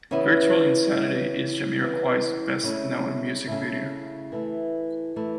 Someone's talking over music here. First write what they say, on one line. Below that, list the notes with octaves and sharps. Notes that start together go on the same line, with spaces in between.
"Virtual Insanity" is Jamiroquai's best known music video.
C#3 E3 B3 E4
C#3 E3 B3
C#3 E3 B3
C#3 A3 E4
C#3 A3 E4
E3 A3 E4
E3 A3 E4